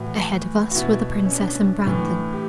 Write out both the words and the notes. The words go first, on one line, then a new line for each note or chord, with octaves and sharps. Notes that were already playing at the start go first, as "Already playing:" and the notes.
Ahead of us were the princess and Brandon.
Already playing: A2 E3 F#4
F#4
B2 E4
C#4
D4
A2 E3
G4